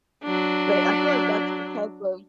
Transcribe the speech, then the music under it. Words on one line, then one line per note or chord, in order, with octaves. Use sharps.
But I feel like that's the type of
F#3 D4